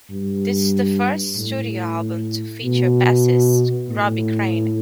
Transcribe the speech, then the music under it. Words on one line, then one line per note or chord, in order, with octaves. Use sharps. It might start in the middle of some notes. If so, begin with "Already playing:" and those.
This is the first studio album to feature bassist Robbie Crane.
G2
A2
B2
A2